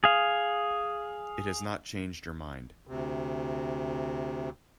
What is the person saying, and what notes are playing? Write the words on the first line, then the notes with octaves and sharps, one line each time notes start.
It has not changed your mind.
G#4 F5
D2 C3